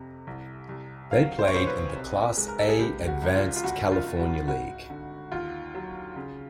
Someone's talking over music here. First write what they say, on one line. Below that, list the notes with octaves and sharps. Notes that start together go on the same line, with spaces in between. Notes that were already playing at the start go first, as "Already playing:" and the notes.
They played in the Class A-Advanced California League.
Already playing: F2 C3
C2
C2
F#3 F5
C5
C#5
B1 C5
B4
C3
G#3
A#4
A4
G#4
C#2 G4
F#4
C#2
F4
F4
G1 F#4
F4
G1
F#4
G#1 F#4
D3
D#2 F4
F#3
C#3